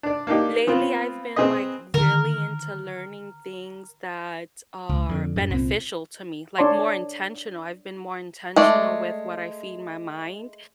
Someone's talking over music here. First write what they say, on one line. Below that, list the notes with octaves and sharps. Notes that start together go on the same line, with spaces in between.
lately I've been, like, really into learning things that are beneficial to me, like, more intentional, I've been more intentional with what I feed my mind,
D4 D5
A#3 D4 D#4 G4
B3 C4 F4
C4 G#4 B4 D#5
D3 D#3 A#4
C#2
F2 D3
F#2 A2
C2 A#2 C4
D4 C#5 D5 A5 C6
G#3 A3 D5